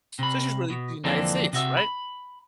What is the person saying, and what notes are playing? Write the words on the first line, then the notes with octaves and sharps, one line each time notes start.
So, it's just really the United States, right?
C3 B5
B2
F2 D3 E3 A#3 C4 D4
C3 F#4 E5
B5